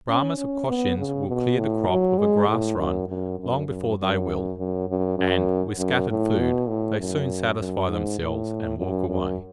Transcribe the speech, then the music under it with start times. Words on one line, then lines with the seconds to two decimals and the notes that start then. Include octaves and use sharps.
Brahmas or Cochins will clear the crop of a grass-run long before they will, and, with scattered food, they soon satisfy themselves and walk away.
0.09 C#4
0.38 C#4
0.68 B3
0.98 C#3
1.28 B2
1.58 A2
1.89 F#3
2.18 G#3
2.48 A2
2.78 F#2
3.09 F#2
3.39 F#2
3.68 F#2
3.98 F#2
4.58 F#2
4.88 F#2
5.18 F#2
5.78 F#2
6.09 A2
6.39 B2
6.68 A2
6.99 F#2
7.59 F#2
7.89 G#2
8.20 A2
8.78 F#2
9.09 F#2